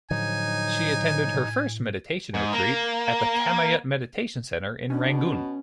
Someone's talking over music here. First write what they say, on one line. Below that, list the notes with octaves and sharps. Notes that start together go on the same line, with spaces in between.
She attended her first meditation retreat at the Kamayut Meditation Center in Rangoon.
A2 D3 F3 F#3 D#4 G#5
G#2
A#3
B2 C#4 D4